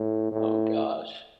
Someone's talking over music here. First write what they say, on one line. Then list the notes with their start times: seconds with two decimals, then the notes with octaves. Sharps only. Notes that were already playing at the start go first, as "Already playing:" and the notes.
Oh, gosh.
Already playing: A2
0.32 A2